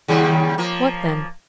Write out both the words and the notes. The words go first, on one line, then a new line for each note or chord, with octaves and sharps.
"What then?"
D#2 C#3 G3
F3 A#3